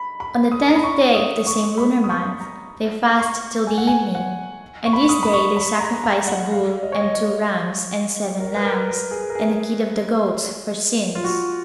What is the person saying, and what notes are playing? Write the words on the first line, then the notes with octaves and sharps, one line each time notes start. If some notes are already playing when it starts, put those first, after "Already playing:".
On the tenth day of the same lunar month, they fast till the evening; and this day they sacrifice a bull, and two rams, and seven lambs, and a kid of the goats, for sins.
Already playing: B5
B5
D#6
A#5
B5
C#6
D#6
C#6
B5
D#6
C#6
A#5
C#6
G#5
F#5
G#5
F#5
C#6
B5
C#6
D#6
B5
C#6
B5
A#5
A#5
F#5
F5
D#5
C#5
D#5
C#5
A#4
B4
A#4
A#4
G#4
A#4
G#4
F4
F#4